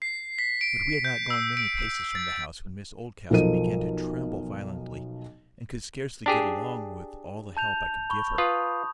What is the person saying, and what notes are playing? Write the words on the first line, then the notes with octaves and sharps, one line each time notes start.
But we had not gone many paces from the house when Miss Oldcastle began to tremble violently, and could scarcely get along with all the help I could give her.
C7
B6
D7
G6
E6
D7
A6
B1 F3 A4 A#4 D#5 D#7
D4 G4 G#4
A5 G6 F7
B5 C#6
F4 B4 D#6